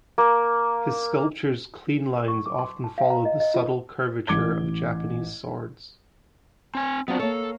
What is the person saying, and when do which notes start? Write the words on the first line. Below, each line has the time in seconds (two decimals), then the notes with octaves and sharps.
His sculptures' clean lines often follow the subtle curvature of Japanese swords.
0.18 A#3
2.28 C#6
2.46 D6
2.59 C6
2.84 A5
2.98 F5
3.10 A#5
3.25 D#5
3.40 D#5
3.54 F4
4.27 A1 D6 G#6 G7
6.75 C4 G#5
7.08 F#3 B3 C4 D4 F4
7.20 A#3 A4 C#5